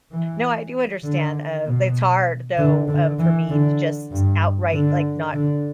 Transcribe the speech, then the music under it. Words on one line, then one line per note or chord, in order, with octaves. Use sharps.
No, I do understand, uh, it's hard, though, um, for me to just outright, like, not
E3
D3
B2
D3
D3
E3
D3
G2
D3
D3